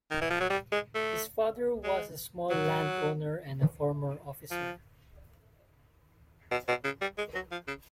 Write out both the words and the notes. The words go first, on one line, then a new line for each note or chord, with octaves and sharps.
His father was a small landowner and a former officer.
D#3
E3
F3
F#3
G3
G#3
A3
G#3
F#3
F3
B2
B2
C#3
G3
G#3
F#3
F3
C#3